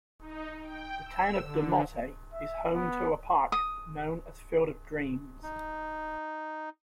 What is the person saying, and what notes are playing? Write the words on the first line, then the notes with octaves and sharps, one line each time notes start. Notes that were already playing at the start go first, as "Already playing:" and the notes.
The town of DeMotte is home to a park known as Field of Dreams.
D#4
G5
E6
D3
E5
B3
D#6
D#4